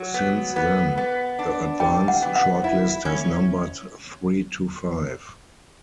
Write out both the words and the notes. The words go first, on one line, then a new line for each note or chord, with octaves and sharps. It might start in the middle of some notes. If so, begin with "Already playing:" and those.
Since then, the advance shortlist has numbered three to five.
Already playing: F#3
B3
B3
B3
D4
G3 G5
F#5
B3
F#5
E4
C#4